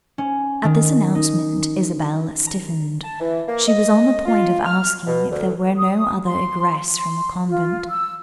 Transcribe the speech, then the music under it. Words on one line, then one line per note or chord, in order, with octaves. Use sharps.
At this announcement Isabel stiffened; she was on the point of asking if there were no other egress from the convent.
C#4
D#3
D#4
A#5
A5
E3
A#3
D#5
F4
F6
B2
D2
D#6
C6
C6
F4
E6